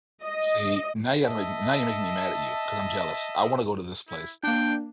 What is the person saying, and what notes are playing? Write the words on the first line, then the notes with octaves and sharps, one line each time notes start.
See, now you gotta make m now you're making me mad at you, 'cause I'm jealous. I wanna go to this place.
D#5
D#5 E5 A5
E4
A#3 D4 G5